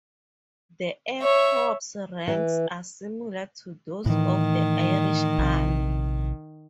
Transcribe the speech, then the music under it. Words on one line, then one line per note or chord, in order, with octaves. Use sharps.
The Air Corps' ranks are similar to those of the Irish Army.
C#5 E5
E3
A2 D#3 E3
A#1 C3